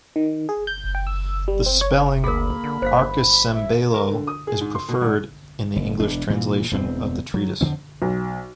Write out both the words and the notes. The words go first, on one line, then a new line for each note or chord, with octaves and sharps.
The spelling 'archicembalo' is preferred in the English translation of the treatise.
D#3
G#4
G6
G5
E6
G3
C4
C#5
D2 A#3 G#4 A#4 B5
D3
G1 C5 F5
E5
A#4
D3
D#6
G#4
G#2
C6
B2
G#1
F#1
E1 D4
A#2 E3
E1 E2 C4
F#3
F2 D3 C4
B1